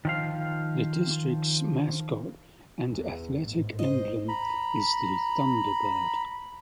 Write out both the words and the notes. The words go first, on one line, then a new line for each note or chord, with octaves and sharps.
The district's mascot and athletic emblem is the Thunderbird.
D#3 F3 F5
E2
A1 G#2
C5 D#5
A#5 B5